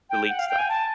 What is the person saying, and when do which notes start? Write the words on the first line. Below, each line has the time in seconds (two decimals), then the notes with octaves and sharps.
delete stuff.
0.10 G5
0.29 F#5
0.39 F5
0.49 G5
0.59 G#5
0.69 A5